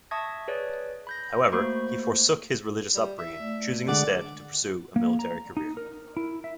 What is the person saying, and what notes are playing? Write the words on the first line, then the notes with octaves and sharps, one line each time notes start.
However, he forsook his religious upbringing, choosing instead to pursue a military career.
E5 A5 C#6 D#6 G#6 A#6
G#4 B4 C#5 D5
B5 G6 A#6
A3 A#3 F#4 C5 B5 C#6
G3
E4 E5
A3 D5
D3 G#3 A#4 D5 F#5
A#3
A#5
D#4
A#4
E4
E5